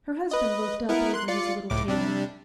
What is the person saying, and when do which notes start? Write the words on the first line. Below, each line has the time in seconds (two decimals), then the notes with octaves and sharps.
Her husband looked up over his little table.
0.31 B4 D#5
0.89 B3 E4 A#4
1.14 C6 F#6
1.28 F4 D5 C#7
1.70 C#2 A2 D6
1.88 C3 G3 D4